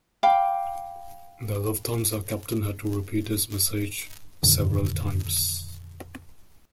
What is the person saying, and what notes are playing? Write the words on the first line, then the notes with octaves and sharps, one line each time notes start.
The Lufthansa captain had to repeat his message several times.
F5 G5 B5 D6
F2 A#2 D3 D#3